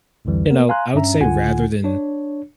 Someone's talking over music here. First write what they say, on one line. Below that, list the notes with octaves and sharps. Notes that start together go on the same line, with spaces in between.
you know, I would say rather than
C2 F2 D3 E3 G3
A#3 B3 A#4
F5 G#5 A#5 C6 F#6
G2 C#4 E5 A#5
C#2 D3 F4 F#5 G#5
D4 C#5